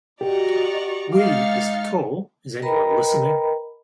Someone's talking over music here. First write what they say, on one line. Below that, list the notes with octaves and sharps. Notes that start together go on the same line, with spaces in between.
"We" is the call, is anyone listening?
F#4 G4 D5 D#5 A#5 C#6
G#3 D#4 F5 D6 F6 A6 C#7
A#4 B4 D#5 G5 A#5 B5